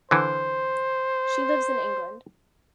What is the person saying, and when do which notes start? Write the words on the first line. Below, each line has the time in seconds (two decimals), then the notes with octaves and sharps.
She lives in England.
0.11 D3 E3 C5